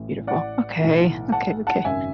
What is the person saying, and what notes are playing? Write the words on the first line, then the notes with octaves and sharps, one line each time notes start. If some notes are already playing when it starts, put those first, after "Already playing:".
Beautiful. Okay. Okay, okay.
Already playing: A1 A2 E3
D5 F#5
B1 A2 E3
F#5 A5
F#5 A5
G#1 F#2 C#3 E5 G#5